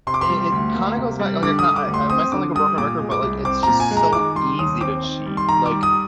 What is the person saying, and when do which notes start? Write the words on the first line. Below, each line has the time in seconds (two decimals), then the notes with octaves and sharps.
it it kinda goes back okay, ki I I might sound like a broken record, but, like, it's just so easy to cheat, like,
0.07 C3 C6
0.14 D6
0.21 C6
0.29 G3
0.52 D2
0.74 A#3
0.98 C3
1.19 G3
1.42 D3 D6
1.59 D#6
1.65 G3
1.76 D6
1.87 D2
1.94 C6
2.10 C4 D#6
2.32 D3 D6
2.55 G3 D#6
2.78 A#2 D6
3.00 G#3
3.11 D6
3.22 C2
3.45 C4 D6
3.63 A#2 A#5
3.80 G#5
3.91 G#3
3.97 A#5
4.13 D#3 D6
4.35 G3 C6
4.59 D#2 D#6
4.81 C4 D6
5.04 D#3
5.26 G3
5.37 C6
5.49 D#3 A#5
5.66 D6
5.71 G3
5.83 D#6